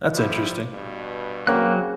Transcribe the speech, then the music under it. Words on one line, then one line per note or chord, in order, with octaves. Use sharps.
That's interesting.
F3 G3 E4
G2 B2
C#3 F#3 A#3 C4 F#4 F#6